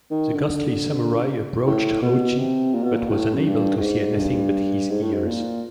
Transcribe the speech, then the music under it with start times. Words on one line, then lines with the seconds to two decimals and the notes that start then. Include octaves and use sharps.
The ghostly samurai approached Hoichi but was unable to see anything but his ears.
0.11 D#3
0.35 D3
1.66 A2
2.02 B2
2.38 C3
2.74 A#2
2.84 B2
2.94 A#2
3.09 A2
3.34 F#2
3.47 G2
3.77 A2
3.81 G#2
4.18 G2
4.90 G#2
5.02 A2
5.14 G#2
5.26 A#2